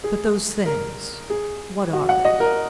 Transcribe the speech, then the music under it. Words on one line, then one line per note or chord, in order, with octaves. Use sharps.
"But those things--what are they?"
G#4
A#4
G#4
F#4
F#5
D#5
A#4